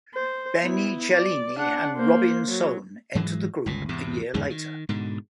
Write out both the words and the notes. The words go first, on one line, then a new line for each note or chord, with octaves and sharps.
Benni Cellini and Robin Sohn entered the group a year later.
C5
B3 E4
D5
D4 F#5
A#3 C5
F#3
G#2 E3 F#3 G#3
G1 C#2 A#2
E2 G#2 C3
E2 G#2 D3 D#3
D#3
G#2 B2 D3